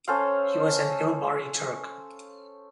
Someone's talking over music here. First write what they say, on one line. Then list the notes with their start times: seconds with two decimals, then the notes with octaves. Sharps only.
He was an Ilbari Turk.
0.08 C#4 A4 C5 F5